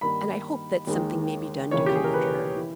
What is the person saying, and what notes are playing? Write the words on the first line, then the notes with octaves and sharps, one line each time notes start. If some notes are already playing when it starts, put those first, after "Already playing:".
And I hope that something may be done to comfort her.
G2 D#3 A#3 D#4 B5
D#2 D#3 G#3
E1 D#2 C#3 E3 A#3 C#5
G4
G#4
A#4
B4
E3